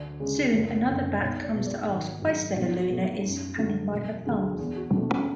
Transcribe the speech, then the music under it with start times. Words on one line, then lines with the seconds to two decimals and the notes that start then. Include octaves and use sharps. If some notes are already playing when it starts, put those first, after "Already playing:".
Soon another bat comes to ask why Stellaluna is hanging by her thumbs.
Already playing: D2 D5
0.20 C#3 G#3
0.53 F#1
0.87 F#2 D3
1.21 B1 C#5
1.43 D5
1.55 B2 G#3
1.66 D5
1.88 G#1
2.22 G#2 F#3
2.56 B1 C#5
2.90 B2 A3 B4
3.24 F#2
3.58 D3 F#3 A3
3.92 E1
4.25 D2 D3 G#3
4.59 E2 G#4
4.76 F#4
4.93 B2 D4
4.97 A3
5.09 C#4